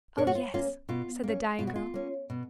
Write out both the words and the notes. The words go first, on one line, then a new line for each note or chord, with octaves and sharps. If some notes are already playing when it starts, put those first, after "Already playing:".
"Oh, yes," said the dying girl.
B2 A#4 C#5
F#4
F4
A#3 C#4 F4
B2 F4
A#3 C#4
B2 F4
F#4
F4
A#3 C#4
B2